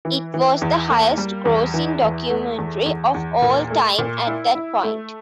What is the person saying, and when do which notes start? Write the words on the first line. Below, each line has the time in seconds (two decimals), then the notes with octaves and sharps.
It was the highest-grossing documentary of all time at that point.
0.05 E3
0.34 E3
0.62 E2
0.90 A#3
1.18 G3
1.45 E2
1.74 E3
2.01 E2
2.30 A3
2.58 E2
2.86 E2
3.14 E2
3.42 A#2
3.71 A3
3.98 A#2
4.27 E4
4.55 E4
4.83 A3